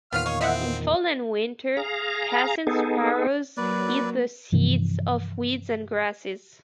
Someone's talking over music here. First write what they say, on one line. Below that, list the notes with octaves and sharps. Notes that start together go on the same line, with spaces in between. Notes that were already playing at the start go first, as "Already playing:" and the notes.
In fall and winter, Cassin's sparrows eat the seeds of weeds and grasses.
E2 A#2 D#3 B3 C#4 F4 F5 F6
C#5 D#5 F5
A#3 C4 D#4 E4 D#5 E5 F#5
G#4 F5 A#5
B3 D#4 G#4 A4
F#3 A#3 B4 D5
G2 C3 E3 F3